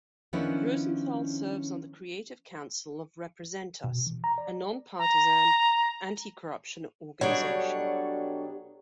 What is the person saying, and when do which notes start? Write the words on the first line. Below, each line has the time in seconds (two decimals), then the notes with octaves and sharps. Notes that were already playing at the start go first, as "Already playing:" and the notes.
Rosenthal serves on the Creative Council of Represent.Us, a nonpartisan anti-corruption organization.
0.33 D#3 F3 B3 C#4 D4 E4
3.84 B2
4.07 E3
4.24 A#5
4.38 D5
4.99 A#5
7.21 B2 F#3 G3 D4 A4 C#5